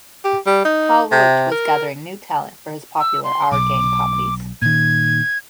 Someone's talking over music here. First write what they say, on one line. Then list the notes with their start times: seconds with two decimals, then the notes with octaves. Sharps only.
Hal Roach was gathering new talent for his popular "Our Gang" comedies.
0.24 G4
0.46 G3
0.65 D#4
1.12 C3
1.51 A#4
3.00 E6
3.24 C6
3.52 B1 D6
4.62 A#2 D#3 G#6